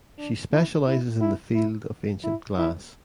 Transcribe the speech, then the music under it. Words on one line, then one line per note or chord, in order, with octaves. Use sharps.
She specializes in the field of ancient glass.
D4
E4
E4
E4
E4
E4
E4